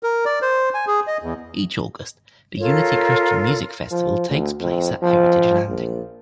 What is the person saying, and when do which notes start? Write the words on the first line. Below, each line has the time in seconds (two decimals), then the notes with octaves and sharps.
Each August, the Unity Christian Music Festival takes place at Heritage Landing.
0.03 A#4
0.25 D5
0.42 C5
0.74 G#5
0.87 G#4
1.07 D#5
1.23 E2
2.59 F4 A4 A#4 C#5
3.91 F3
4.29 D2
4.61 F2
5.02 F3
5.69 A#1